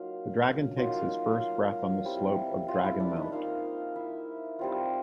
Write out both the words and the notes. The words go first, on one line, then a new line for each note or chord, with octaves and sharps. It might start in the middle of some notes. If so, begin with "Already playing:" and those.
The Dragon takes his first breath on the slope of Dragonmount!
Already playing: F#3 A#3 D#4 F4 F5
F#3 A#3 D#4 F4 F5
F4 F5
G3 C4 E4
F4 F5
E4 E5
D4 D5
D#4 D#5
A#3 D#4 F4 F5
E4 E5
G3 C4 F4